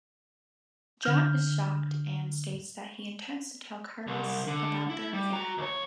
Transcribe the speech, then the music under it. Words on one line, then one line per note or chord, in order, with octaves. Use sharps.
John is shocked and states that he intends to tell Carlos about their affair.
D3 F6 G6
C2
D3
E4
G3
F#4 A#5
D#2 C#5